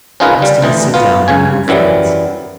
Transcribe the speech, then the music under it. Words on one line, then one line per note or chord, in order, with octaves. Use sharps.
I asked him to sit down and we were friends.
C#4 D#4 F4 G#4 A#4 B4
G3
D2 E3 D#5
B3 F4
C#2 C#3 C#5 G#5
F#2 E3 F#3 G3